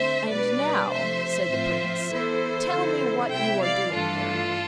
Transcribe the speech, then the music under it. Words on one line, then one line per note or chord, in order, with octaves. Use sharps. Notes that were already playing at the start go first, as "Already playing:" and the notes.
"And now," said the Prince, "tell me what you are doing here."
Already playing: D3 A3 C4 C5 E5
B2 G3 B3 D4 B4 D5
C3 F3 A3 C5 E5
A2 F3 C4 F4
E3 B3 E4 A4 C5
D3 F3 C4 E4
C3 G3 B3 E4 E5 G5
D5 F5
G2 E3 A3 D4 F4 A4